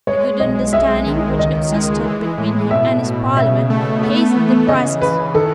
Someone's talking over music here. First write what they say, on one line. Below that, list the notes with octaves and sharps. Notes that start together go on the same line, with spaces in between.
The good understanding which existed between him and his Parliament hastened the crisis.
G#3 C#5
B1 D#5
G#3 E5
D#3
C#2 D#5
G#3
E3
A2
B2 E5
B2
C#3 E5
A3
B3
E3
C#3 D#5
E3 B4
D#3 A4